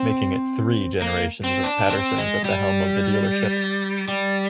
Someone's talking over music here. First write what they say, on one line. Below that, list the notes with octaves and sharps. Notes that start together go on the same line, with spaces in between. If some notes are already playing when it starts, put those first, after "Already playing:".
Making it three generations of Pattersons at the helm of the dealership.
Already playing: C4
A#3
C4
D4
C4
G#3
G3
G3